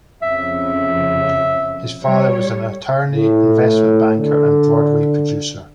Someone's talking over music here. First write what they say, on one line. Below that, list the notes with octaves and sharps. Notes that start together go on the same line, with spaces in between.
His father was an attorney, investment banker and Broadway producer.
F2 C#3 E5
G3 C#5
A2
D3